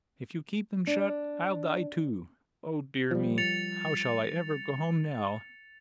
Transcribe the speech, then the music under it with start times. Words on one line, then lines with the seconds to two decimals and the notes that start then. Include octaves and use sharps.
If you keep them shut, I'll die, too. Oh, dear me, how shall I ever go home now?
0.87 D4
3.11 F3 G3
3.38 A6 C#7 F7